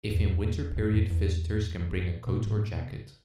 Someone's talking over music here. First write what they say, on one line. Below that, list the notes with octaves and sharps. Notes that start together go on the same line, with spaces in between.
If in winter period, visitors can bring a coat or jacket.
E2
F#2
G#2
E2
F#2
E2
F#2
G#2
A#2
B2
G#2
A#2
B2
C#3